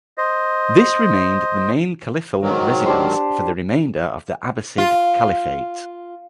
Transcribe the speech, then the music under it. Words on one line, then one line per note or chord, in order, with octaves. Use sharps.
This remained the main caliphal residence for the remainder of the Abbasid Caliphate.
C5 D#5
G#2 D#3 F#3
D4 G4 C5
F4